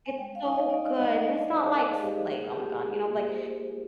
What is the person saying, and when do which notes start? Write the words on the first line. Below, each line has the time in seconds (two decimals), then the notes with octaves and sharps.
it's so good, and it's not like s like, oh my god, you know, but like like,
0.06 G#5
0.18 G#3 G5
0.35 F5
0.44 D#4
0.53 D#5
0.70 D#4 D5
0.95 G#3 D#5
1.21 G#3 D#5
1.39 D5
1.47 D#4
1.56 C5
1.73 D#4 A#4
1.90 G#4
1.99 G#3 G4
2.25 A#3 A#4
2.39 G#4
2.51 F4 G4
2.66 G#4
2.77 F4
3.02 A#3
3.28 A#3 C5
3.55 F4